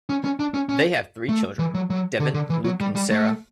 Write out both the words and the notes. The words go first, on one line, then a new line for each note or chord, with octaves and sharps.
They have three children, Devon, Luke, and Sara.
C#4
C#4
D4
C#4
C#4
A3
E3
F#3
F#3
D3
D3
E3
F#3
G3
G3
A3